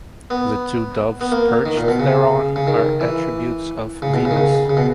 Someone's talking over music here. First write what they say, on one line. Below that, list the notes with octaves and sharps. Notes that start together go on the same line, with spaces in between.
The two doves perched thereon are attributes of Venus.
B3
B3
A#3
D#3
A#2
B2
C#3
C#3
D#3
E3
C#3
B2
C#3
D#3
C#3
C#3
B2